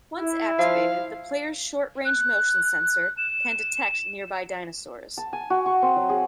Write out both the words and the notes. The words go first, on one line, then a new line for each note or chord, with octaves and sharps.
Once activated, the player's short-range motion sensor can detect nearby dinosaurs.
E4
F3 F5
F#6
E7
A5
G#5
F#4
C#6
C4
F#3
G#4